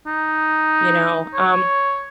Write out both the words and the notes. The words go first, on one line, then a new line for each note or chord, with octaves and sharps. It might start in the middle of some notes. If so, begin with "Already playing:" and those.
you know, um,
D#4
C#5